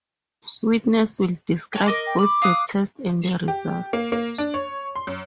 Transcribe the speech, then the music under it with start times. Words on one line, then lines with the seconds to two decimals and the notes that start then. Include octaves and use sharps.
Witness will describe both the test and the results.
1.73 A4 C#5 G5
1.86 A#4 D#5 D6
2.06 G5
2.18 B5 D6
2.42 F5 D#6 F#6
3.48 G4
3.93 A#3
4.12 A#3
4.38 D4
4.54 C#5
4.96 C6
5.07 F#2